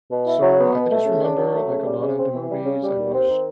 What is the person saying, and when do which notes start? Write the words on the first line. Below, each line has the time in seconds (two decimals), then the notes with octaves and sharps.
So, I just remember, like, a lotta the movies I watched,
0.11 B2
0.26 E4
0.43 F#3
0.58 B3
0.74 B2
0.89 A3
1.05 C#3
1.22 D4
1.37 F#3
1.53 A3
1.70 C#3
1.85 G3
2.01 C#3
2.18 C4
2.34 E3
2.49 G3
2.65 C#3
2.81 G3
2.97 D#2
3.12 C4
3.29 D#3